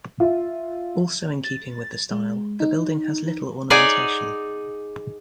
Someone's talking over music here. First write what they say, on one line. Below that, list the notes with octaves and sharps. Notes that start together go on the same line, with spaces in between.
Also in keeping with the style, the building has little ornamentation.
F4 E5
A6
G#3
D#4
D#4 G#4 D5 F#5 G#5